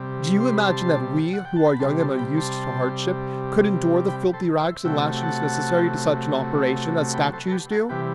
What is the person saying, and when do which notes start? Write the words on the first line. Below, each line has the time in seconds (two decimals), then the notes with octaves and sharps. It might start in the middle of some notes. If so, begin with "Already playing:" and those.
Do you imagine that we, who are young and unused to hardship, could endure the filthy rags and lashings necessary to such an operation, as statues do?
Already playing: C3 G3
0.40 C6
0.53 B5
0.64 A5 C6
1.33 F#5
1.45 G5
1.56 A5
1.68 B5
1.80 C3 G3 A5 C6
1.99 A5 C6
2.17 G5 B5
2.37 A5 C6
4.08 G5 B5
4.33 A4 C5
4.59 C5 E5
4.84 C3 F#3 A3 E5 G5
5.18 G5
5.23 F#5 A5
7.13 G5 B5
7.33 A4 C5
7.48 A4
7.51 G4 B4
7.71 F#4 A4
7.89 C3 E3 G3 G4 B4